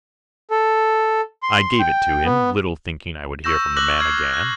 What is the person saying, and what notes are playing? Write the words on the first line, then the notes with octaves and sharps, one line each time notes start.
I gave it to him, little thinking I would hear from the man again.
A4
C6
G5
B3
C#6 E6 G6 A#6 E7
D6 E6 F#6 A#6 F#7
F6 G#6 C7
F#6